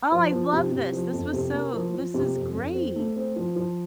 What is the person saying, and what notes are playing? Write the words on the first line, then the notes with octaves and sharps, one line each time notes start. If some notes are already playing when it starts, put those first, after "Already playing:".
Oh, I love this, this was so this is great.
F3
F3
C3
C3
F3
F2
C3
A#3
F3
F3
C3
F2
F2
C4
A3
C4
F3
F3